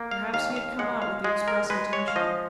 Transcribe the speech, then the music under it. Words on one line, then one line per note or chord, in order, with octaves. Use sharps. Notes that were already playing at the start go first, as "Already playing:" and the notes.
Perhaps he had come out with the express intention.
Already playing: A#3
F5
D#2 F5
F5
G#3 F#5
F5
G#3 G#4
A#4
G#3 B4
C#5
F5
F3 D#5